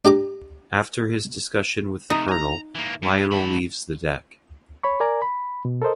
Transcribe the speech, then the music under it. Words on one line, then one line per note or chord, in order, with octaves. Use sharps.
After his discussion with the Colonel, Lionel leaves the deck.
D4 G4 A#5 D6
A2 C3 D#4
G#5 A#5
E3 A#3
G2
G#2 B5
C#5 B5 C#6
A#4 D5 G#5 A#5
B5
B2
A4 A#4 C5 D#5